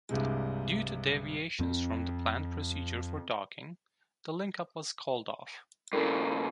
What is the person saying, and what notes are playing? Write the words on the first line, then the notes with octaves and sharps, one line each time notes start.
Due to deviations from the planned procedure for docking, the link-up was called off.
C2 G2 C3 G#3
F2 C4
G2 C#3 E4 A4 A#4